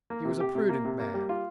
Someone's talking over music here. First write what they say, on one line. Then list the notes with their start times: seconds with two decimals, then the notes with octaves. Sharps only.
He was a prudent man.
0.10 A#3
0.25 C3
0.40 G4
0.55 C3
0.69 A#3
0.85 C3
1.00 A#3
1.14 G3
1.29 F4